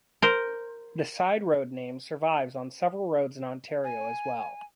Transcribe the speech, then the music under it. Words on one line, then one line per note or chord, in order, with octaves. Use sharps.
The "side road" name survives on several roads in Ontario as well.
A#4 C5
G#5